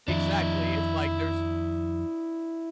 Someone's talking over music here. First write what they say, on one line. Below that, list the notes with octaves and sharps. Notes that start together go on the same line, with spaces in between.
Exactly, it's, like, there's
F2 D#3 F3 D4 E4